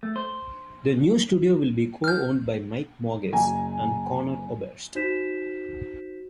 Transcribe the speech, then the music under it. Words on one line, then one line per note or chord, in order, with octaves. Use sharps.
The new studio will be co-owned by Mike Mogis and Conor Oberst.
A3
C5
F6 G6
F#1 G#5 A#5
D#4 F#4 C5 G6 B6 E7